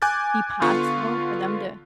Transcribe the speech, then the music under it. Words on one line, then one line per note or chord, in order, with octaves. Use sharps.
be possible for them to
G#5 D6 F#6 G6 A6
D3 B3 F4 C#6